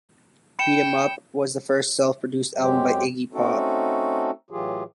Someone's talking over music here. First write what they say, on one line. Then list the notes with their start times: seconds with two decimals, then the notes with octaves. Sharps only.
"Beat 'Em Up" was the first self-produced album by Iggy Pop.
0.59 G5 B5 C#7 E7
2.56 F#2 F#3 G#3 C4 G4 G5
3.33 A3 C4 C#4 D#4 F#4 A4
4.51 A2 E3 F#3 F4 G4 G#4